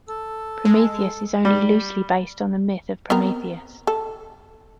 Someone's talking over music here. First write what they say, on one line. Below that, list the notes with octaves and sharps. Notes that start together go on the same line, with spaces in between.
"Prometheus" is only loosely based on the myth of Prometheus.
A4
G#3
G3
B3 C4 A#4
A4